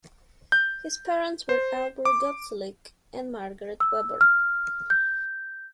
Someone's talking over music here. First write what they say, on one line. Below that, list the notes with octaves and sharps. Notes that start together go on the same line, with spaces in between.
His parents were Albert Gottselig and Margarethe Weber.
G6
C5
D6
E6
F6
G6